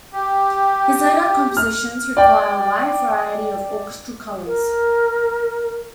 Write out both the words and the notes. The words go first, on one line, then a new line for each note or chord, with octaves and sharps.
His later compositions require a wide variety of orchestral colours.
G4
F6
D5 G5
A#4